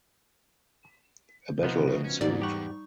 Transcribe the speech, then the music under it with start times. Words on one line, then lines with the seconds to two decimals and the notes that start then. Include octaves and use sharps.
A battle ensued.
1.63 C3 F3 B3 D#4
1.87 C#3 F#4
2.04 C#4
2.21 E2 G#2 D5
2.42 G3 D#4 G4 F#5 C#6